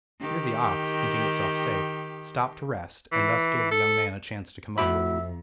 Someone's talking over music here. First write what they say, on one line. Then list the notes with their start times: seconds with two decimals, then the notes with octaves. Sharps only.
Here the ox, thinking itself safe, stopped to rest, and thus gave the young man a chance to come up with it.
0.20 D#3 G4
3.13 E3
3.71 A4
4.78 F2 A2 F#4 E5 B5